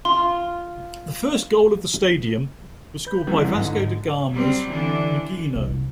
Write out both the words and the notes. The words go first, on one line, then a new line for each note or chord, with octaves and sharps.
The first goal of the stadium was scored by Vasco da Gama's Niginho.
F4 C6
B4 G6
F1 C2 E3 F#3 G3
F#5
G#2 D3 D#4
F#3 G3 C4
D3 E3 D4
C2